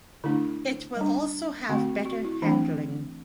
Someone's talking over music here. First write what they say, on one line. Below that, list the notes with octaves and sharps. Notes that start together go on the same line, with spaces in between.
It will also have better handling.
D3 A3 D4 E4
G3 D4
D3 A3 C4 F#4
F#4
E4
E3 A3 C4 D4